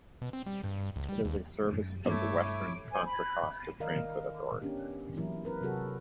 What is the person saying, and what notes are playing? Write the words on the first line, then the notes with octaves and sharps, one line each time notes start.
It is a service of the Western Contra Costa Transit Authority.
B2
C4
G3
G2
G2
C#2
G3
D#2
F#2
G2 A3 E4 C#5 D6
C5 G#5
B5
D#3 A#4 D5 D#5 F5
B3 C#4 D4 G4
E3 F#3 A#3 E4 A#4
C4 A#4 B4
C3 E3 F#3 F#4 G#4 A4